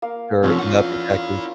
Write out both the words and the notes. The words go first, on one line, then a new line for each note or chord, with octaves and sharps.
Ter nup, exactly.
A#3 F5
F2 C3 C#4 F4
E4 F#5